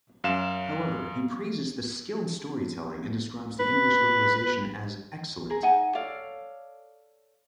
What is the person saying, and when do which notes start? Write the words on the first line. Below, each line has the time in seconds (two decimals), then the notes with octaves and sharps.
However, he praises the "skilled storytelling" and describes the English localisation as "excellent".
0.24 F#2 F5 E7
3.59 B4
5.50 G#4 A#4
5.62 D#4 F#5 G#5
5.95 A4 C#5 D5 F5